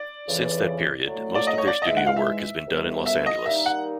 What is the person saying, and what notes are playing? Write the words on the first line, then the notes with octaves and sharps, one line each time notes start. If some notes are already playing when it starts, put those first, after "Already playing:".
Since that period, most of their studio work has been done in Los Angeles.
Already playing: D5
F2 C#3 E3
A2 F#3 A3
D5
D#5
C#5
D5
D#5
G#2 E3 G#3 E5
F#5
F5
E5
D2 C3 D#3 G3 B3
E5
D#5
D#3 G3 A#3 D#4 G4 E5
F#5